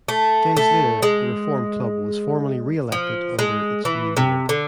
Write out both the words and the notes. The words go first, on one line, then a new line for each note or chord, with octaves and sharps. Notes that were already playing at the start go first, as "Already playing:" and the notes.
Days later the reformed club was formally re-elected under its new name.
A3
A3
G#3
F3
G#3
E3
C3
D3